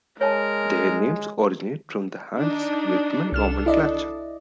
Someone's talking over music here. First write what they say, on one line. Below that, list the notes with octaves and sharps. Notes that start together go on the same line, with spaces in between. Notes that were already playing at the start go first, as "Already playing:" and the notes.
Their names originate from the Hantzsch-Widman nomenclature.
G#3 A#4 C#5 G#5 A5
D4 D#4
C2 D4 A4 F6 E7
E4 D5 D#5